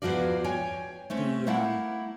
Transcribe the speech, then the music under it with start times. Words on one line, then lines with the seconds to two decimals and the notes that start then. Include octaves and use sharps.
the, um
0.02 E2 B2 F3 F4 F#4 D5
0.44 C#5 G5 G#5
1.10 A3 C4 C#4
1.47 A3 A#3 E4 F#5